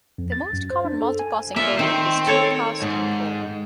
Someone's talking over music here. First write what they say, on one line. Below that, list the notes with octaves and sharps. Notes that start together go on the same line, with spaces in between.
The most common multi-pass encoding is two-pass encoding.
F2
A6
F#2
C5
D4
A4
G#5
A#3 F4 E5
D#3 C4 C5
A4 C#5
G#2